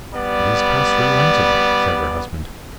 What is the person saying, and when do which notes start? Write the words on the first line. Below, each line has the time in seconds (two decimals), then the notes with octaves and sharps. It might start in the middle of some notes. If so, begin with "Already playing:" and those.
"He is past relenting," said her husband.
0.13 G3 B3 D5 B5